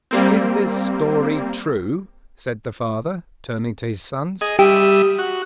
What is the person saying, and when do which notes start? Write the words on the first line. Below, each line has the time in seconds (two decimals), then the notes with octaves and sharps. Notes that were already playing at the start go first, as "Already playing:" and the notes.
'Is this story true?' said the father, turning to his sons.
0.11 G3 A#3 C4
4.41 G#4 D#5
4.59 G3 G4 E5 D#6
5.19 F#4